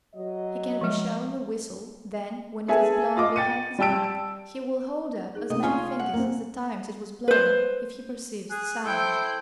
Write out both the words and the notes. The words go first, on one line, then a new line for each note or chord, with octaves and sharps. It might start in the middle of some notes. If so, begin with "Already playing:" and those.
He can be shown a whistle, then, when it is blown behind his back, he will hold up as many fingers as the times it was blown, if he perceives the sound.
F#3 D#5
F3 G#3
B3 G#4 A4 E5 G#5
F4 D#5 D6
G5 A6 C#7 D#7
G3 G5 A5 E6 D7
D#4 G#4
C3 A3 A#3 A4 D#5
C4 C#4 F4 C#5 G#5
F#5
A#3 C4
B4 C5
G#4 F#6
E4 A4 C5 G5 G6